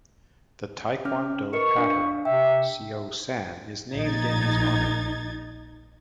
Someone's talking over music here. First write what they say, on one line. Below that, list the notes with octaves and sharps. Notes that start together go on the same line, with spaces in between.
The Taekwon-Do pattern Seo-San is named in his honor.
C#4 F6
A#4 B4 D#5 C#6
D4 F5
C3 E5 G5
A#1 D#4 G#6 A6